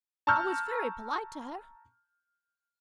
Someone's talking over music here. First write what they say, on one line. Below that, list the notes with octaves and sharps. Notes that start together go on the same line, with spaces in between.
I was very polite to her.
A5 A#5 C#6 E6 F6 G6